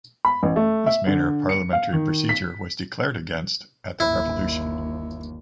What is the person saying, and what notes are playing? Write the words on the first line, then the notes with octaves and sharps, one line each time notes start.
This manner of parliamentary procedure was declared against at the revolution.
B5
A1
A3
E5
D3
C#7
F5
D#3
B6
G1 D#2 E4